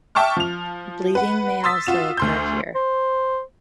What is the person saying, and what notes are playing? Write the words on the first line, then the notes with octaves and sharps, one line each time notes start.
Bleeding may also occur here.
E5 G5 A5 C#6 D6 F6
F3 F7
B4 F#5
C6 D#6 E6 A6 B6
F4 F#4 E7
D2 C6 G6
C5